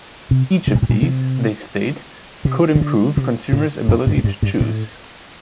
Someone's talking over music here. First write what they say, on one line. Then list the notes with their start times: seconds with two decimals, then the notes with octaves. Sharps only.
Each of these, they state, could improve consumers' ability to choose.
0.31 C3
0.67 C3
0.75 A#2
0.82 A2
0.89 A#2
1.03 C3
2.45 C3
2.75 C3
2.81 D3
3.17 C3
3.53 A2
3.89 F2
4.07 G2
4.17 A2
4.24 G2
4.42 G2
4.60 A2